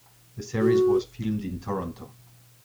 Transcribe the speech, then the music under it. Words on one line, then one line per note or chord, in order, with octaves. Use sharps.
The series was filmed in Toronto.
F#4